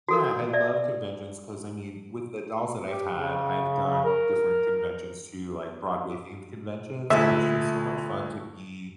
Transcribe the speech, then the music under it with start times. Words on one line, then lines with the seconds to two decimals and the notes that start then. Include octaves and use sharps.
Yeah, I love conventions 'cause, I mean, with the dolls that I've had, I've done different conventions too, like Broadway themed conventions, and it's just so much fun to be
0.08 F#4 A4 A#4
0.53 D5 E5
2.87 G4
3.11 C#3
4.05 A#4
7.10 D2 A#2 G#3 A3 E4 E5